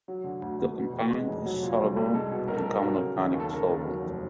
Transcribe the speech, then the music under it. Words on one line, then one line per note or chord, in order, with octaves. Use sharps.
The compound is soluble in common organic solvents.
F#3
D3
D2
D2
B2
E2
G#3
F1
F#3
A#2
C2
C2
G#3 A4
B2
B1 A#4
A4
B1 A#4
F#3 A#4
C#3
D#2
D#2
A4
C#3 A#4
D#2
F#3
F1